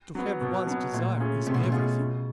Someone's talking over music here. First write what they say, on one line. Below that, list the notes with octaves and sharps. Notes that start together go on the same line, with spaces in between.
To have one's desire is everything.
F#3 B3
B2
F#3 B3
A#2 A3
C#4 F4 G#4
C3 A3
B2
A#2
B2 C#4 F4 G#4
C#3